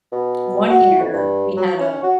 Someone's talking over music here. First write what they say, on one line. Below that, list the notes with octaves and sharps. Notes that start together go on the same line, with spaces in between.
One year we had a
B2
F#4
F2
G2
F#3
C#4
F#4